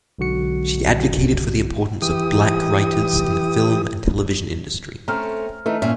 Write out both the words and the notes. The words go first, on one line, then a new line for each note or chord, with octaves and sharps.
She advocated for the importance of black writers in the film and television industry.
B1 D3 G#3 F#4 C#7
E3 G4 D#6
A3 C4 C#4 A#5 F6
E3 A3 D#4
A#2 C#4 E5